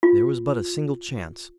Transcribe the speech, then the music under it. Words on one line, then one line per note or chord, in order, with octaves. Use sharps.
There was but a single chance.
F4